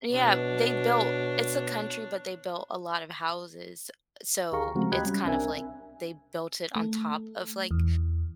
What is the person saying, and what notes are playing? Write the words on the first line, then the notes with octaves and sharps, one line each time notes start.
Yeah. They built it's a country, but they built a lot of houses. So it's kind of, like, they built it on top of, like,
B2 D4 C#5
D2 G4 G#4 F5 A#5 C#6
C#3 F3 G#3 A3 C4 F#4
D#2 G4 D#5 B5 F#6 G#6
G3 C#4
C2 C4 D4 A#4 E5 G#5
A3
E2